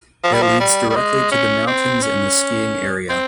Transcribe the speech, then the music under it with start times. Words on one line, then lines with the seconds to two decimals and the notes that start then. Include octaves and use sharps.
It leads directly to the mountains and the skiing area.
0.24 F3
0.34 G3
0.42 F3
0.60 G3
0.90 G3
0.96 G#3
1.31 C#4
1.67 C4
2.02 C#4
3.09 C4